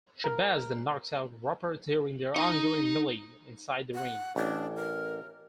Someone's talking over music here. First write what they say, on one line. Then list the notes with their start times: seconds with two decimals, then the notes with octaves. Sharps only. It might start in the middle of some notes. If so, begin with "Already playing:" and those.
Shabazz then knocks out Roper during their ongoing melee inside the ring.
0.24 A#4
2.36 D#4 A#5
3.94 F#5
4.36 A1 D4
4.76 A#4